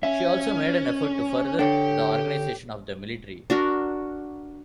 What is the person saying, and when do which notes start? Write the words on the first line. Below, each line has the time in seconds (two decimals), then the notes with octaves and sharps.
She also made an effort to further the organization of the military.
0.03 C#4 E5
1.59 D3 D4 G4 A4 C#5 G5 C#7
3.50 D4 F#4 A#4